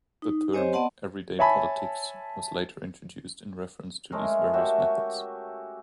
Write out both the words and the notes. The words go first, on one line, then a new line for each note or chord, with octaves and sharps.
The term "everyday politics" was later introduced in reference to these various methods.
D#4
C4 G4 C5 C#5 D#5 G#5
B3 D5 D#5 F#5 A5 C6
C#5 E5 G#5 A5 B5
G#3 A3 C#4 A#4
F#4 G4 C#5 E5